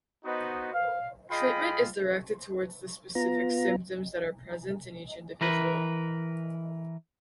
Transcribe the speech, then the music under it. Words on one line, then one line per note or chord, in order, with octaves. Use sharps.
Treatment is directed towards the specific symptoms that are present in each individual.
B3 D#4 F#4 B4 C5 D#5
F5
F4 G#4 D#5 G5 B5
B3 F4 A#5
E3 A#4 B4